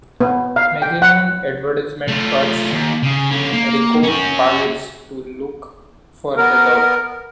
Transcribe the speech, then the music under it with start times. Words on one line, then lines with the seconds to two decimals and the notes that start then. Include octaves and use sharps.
Magazine advertisements urged record buyers to look for the dog.
0.21 B3
0.56 F5
0.82 G5
1.02 F#5
2.08 A3 F4
2.73 D#2
3.03 C#3
3.31 D3 C#4
3.53 A#3
4.04 C#4 F#4
6.37 B3 A#4